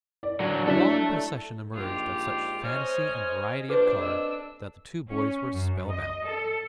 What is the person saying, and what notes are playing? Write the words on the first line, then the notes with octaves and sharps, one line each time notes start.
A long procession emerged of such fantasy and variety of color that the two boys were spellbound.
D5
D3 F#3
F#3 D4 E4 A4 E5
A#1 G#2 F4 G4
C5 C#5 D#5 G#5 F6
A#1 C3 D4 A4 B4 C5 D6
D#5 E6
C#4
F#2
D#5
A4